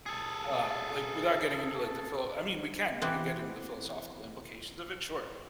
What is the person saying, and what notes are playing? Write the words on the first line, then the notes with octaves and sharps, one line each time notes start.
uh, like, without getting into, like, the philo I mean, we can we can get into the philosophical implications of it, sure,
G#4 A4
E3 B3 C4 G4